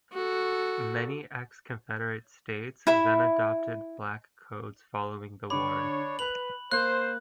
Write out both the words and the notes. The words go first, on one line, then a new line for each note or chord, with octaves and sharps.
Many ex-Confederate states then adopted Black Codes following the war.
F#4 A4
E4 E5 B5
D3 D4 C#5 B5 D6
B4 F#6 F7 F#7
A#3 C5 F#6